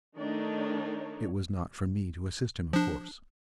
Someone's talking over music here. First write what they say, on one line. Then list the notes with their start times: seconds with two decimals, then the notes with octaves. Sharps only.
It was not for me to assist him, of course.
0.18 D#3 A3 D4 D#4 C#5
2.73 F3 D4